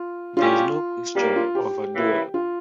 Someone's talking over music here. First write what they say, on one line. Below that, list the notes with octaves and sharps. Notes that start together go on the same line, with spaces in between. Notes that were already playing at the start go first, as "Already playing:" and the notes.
There is no question of a duel.
Already playing: F4
C#3 G3 C#4 F4 G4
A2 G3 A#3 G4
F4
G4
C#3 E3 A#3 E4
F4